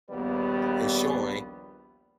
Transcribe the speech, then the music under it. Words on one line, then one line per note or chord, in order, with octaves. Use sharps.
is showing
A#1 D#2 G3 B3 B4